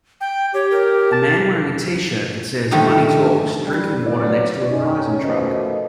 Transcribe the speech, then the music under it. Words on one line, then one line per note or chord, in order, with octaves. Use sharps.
A man wearing a tshirt that says money talks drinking water next to a Verizon truck.
G5
G4 C#5
A#4
A5
D3 D#3 F3 G3 A3
G3
D3 F#3 B3 D5
C#4 D#4
B2 D#3 F3 A3 D#5